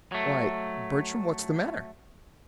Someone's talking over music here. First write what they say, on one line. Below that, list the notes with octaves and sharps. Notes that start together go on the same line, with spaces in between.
"Why, Bertram, what's the matter?"
F#3 A3